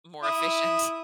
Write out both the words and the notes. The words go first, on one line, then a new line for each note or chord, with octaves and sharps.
e more efficient.
E4 D#6